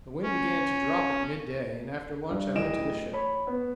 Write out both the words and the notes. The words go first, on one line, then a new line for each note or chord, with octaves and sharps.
The wind began to drop at midday, and after lunch I went to the ship.
C#4
G2
D1 E3 D#5 D7 E7
C#5 B5
B3